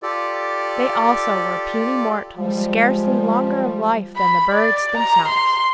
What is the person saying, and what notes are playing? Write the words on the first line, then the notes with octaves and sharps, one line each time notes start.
They also were puny mortals, scarcely longer of life than the birds themselves.
F4 G4 A4 D5
F3 G3 G#3
B5
D5
A#5
C6